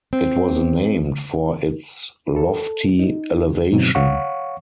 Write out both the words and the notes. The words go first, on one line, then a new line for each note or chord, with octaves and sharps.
It was named for its lofty elevation.
C4
A4
D#4
G2 B2 D3 F#3 C4
C#5 F5 F#5 C#6